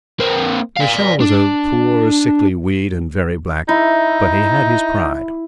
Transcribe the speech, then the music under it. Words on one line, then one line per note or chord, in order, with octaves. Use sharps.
Michele was a poor, sickly weed and very black; but he had his pride.
A#3 C4
D5 F5
D4
D#4 E4